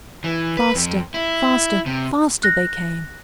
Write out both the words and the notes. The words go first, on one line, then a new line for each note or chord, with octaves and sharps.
Faster, faster, faster, they came.
E3
B4
F2
E4
C3
F#6 A#6